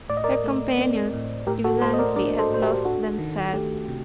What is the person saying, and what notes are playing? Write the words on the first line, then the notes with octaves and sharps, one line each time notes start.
Her companions, evidently, had lost themselves.
A2 D5
D#5
A#4 D5
A3
C4
A2
A2 G4 A#4
F#4 A4
A3 A4 C5
D#5
A#4 D5
D4 A#4 D5
A4 C5
A2 C5
G4 A#4
D4 F#4 A4
D#3
A3 G4
C3